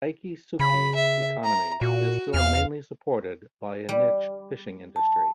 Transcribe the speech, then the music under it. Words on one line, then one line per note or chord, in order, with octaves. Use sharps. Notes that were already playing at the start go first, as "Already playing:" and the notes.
Ikitsuki's economy is still mainly supported by a niche fishing industry.
C#3 B5
E5
A#5
A#2 F#4
E2 F5 F6
G3
A5